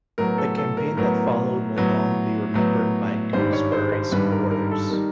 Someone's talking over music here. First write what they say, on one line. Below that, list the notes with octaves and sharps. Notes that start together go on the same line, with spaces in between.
The campaign that followed will long be remembered by Dewsbury supporters.
A2 F#3 B3 A#4
A4
A4
A#4
A2 F#3 B3 A#4
A2 F#3 B3
A2 F#3 B3
G#1 G2 D#3 G3 C5
C#5
C5
C5
G#1 G2 D#3 G3 B4
A#4
A#4
A4
D#3 G3 A#4